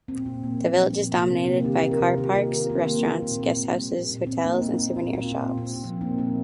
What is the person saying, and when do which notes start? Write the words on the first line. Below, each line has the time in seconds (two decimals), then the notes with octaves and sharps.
The village is dominated by car parks, restaurants, guesthouses, hotels and souvenir shops.
0.08 A#2 C4
0.26 A#2
0.43 A#3
0.61 F3
0.78 A#2
0.95 A#2
1.13 C3 A#3
1.30 C3 C4
1.47 A#3 D#4
1.64 D#3 D#4 G4
1.83 C3
1.91 F4 A#4
2.00 C3
2.18 D#3 D#4 G4
2.34 A#3 C4 F4
2.52 D#3 F4 A#4
2.70 A#3 C4 F4
2.87 D#3 A#3 D#4
3.04 A#3 C4 F4
3.22 A#2
3.40 A#2
3.57 A#3
3.74 G3
3.91 A#2
4.09 A#2
4.27 A#2 C4
4.44 A#3 D#4
4.61 A#2 A#3 D#4
4.79 A#3
4.96 A#2 C4
5.14 A#3 C4 F4
5.32 A#2
5.49 A#2
5.58 C4
5.67 A#3
5.84 F3 C4
6.01 A#2 A#3 D#4
6.18 A#2 A#3 D#4